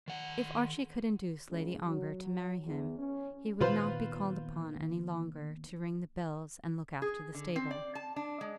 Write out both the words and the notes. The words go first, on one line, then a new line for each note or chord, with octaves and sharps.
If Archie could induce Lady Ongar to marry him, he would not be called upon any longer to ring the bells and look after the stable.
D#3 F#5
C#2
F#3
E2
C#4
A#2 D#3 B3 F4 B4 C5
G#4
D3
C4
D5
A5
D4
G#3